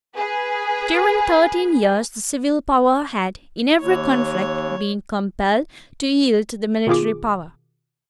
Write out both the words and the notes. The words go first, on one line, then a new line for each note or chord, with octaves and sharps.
During thirteen years the civil power had, in every conflict, been compelled to yield to the military power.
G#4 B4
D#2 C#5
B2 D#3 F4 G#4 D6